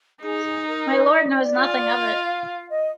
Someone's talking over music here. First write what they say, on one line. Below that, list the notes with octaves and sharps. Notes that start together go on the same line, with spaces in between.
My Lord knows nothing of it.
D#4 G#4
G#4
A#4
B4
D5
F4
D#5
F5
F5
D#5